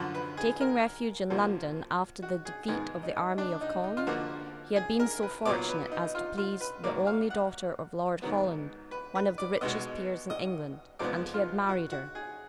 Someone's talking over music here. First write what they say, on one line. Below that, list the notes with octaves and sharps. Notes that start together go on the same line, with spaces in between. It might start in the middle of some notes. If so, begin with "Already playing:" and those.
Taking refuge in London after the defeat of the army of Conde, he had been so fortunate as to please the only daughter of Lord Holland, one of the richest peers in England, and he had married her.
Already playing: F#2 D3 F3
B4
G#4
A#4
F#2 F3 A#3
F#4
G#4
G#2 D#3 G#3 B3 G#4
D#4
D4
D#4
D#4
F4
D3 F3 A#3 F#4
G#4
A#4
B4
A#2 F#3 B3 D5
B4
D#4
F4
F4
B4
G#2 F#3 A#3 D5
F5
F#5
G#2 D#3 F#3 B3
B4
B4
D5
B2 G#3 B3 D#5
D#5
F2 F3 G#3 B3 D5
F4
F#4
F#4
G#4